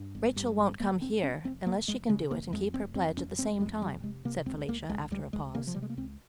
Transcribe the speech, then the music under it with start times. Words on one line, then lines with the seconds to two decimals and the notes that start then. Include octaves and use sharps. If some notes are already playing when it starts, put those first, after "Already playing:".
"Rachel won't come here unless she can do it and keep her pledge at the same time," said Felicia, after a pause.
Already playing: G2
0.15 G1
0.36 G2
0.59 G1
0.80 G1 A#3
1.01 G2 C4
1.23 G1 C#4
1.44 F1 C4
1.66 F1 A#3
1.88 F1 G#3
2.09 C#3 G#3
2.31 F1 A#3
2.53 F2 G#3
2.74 F1 C4
2.95 F2 C4
3.17 F1 C#4
3.39 F1 C4
3.60 F2 G#3
3.82 F1 G3
4.03 C3 G#3
4.25 C3 A#3
4.46 C#2 C4
4.68 C#2 A#3
4.89 C#2 G#3
5.11 C#2 G3
5.33 C#2 G#3
5.54 C3 A#3
5.67 F3
5.74 C3 G3
5.82 G#3
5.90 A#3
5.97 C#2 C4